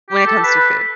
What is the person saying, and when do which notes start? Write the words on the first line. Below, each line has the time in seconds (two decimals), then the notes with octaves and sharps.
when it comes to food.
0.10 G4
0.26 A4
0.43 B4